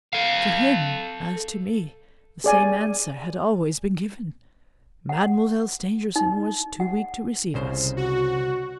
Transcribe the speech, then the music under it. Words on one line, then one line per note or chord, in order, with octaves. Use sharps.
To him, as to me, the same answer had always been given: Mademoiselle Stangerson was too weak to receive us.
A4 F5
G#4 D5 G#5
F#5
D#4
F#5
C2 C#3 C5
F#4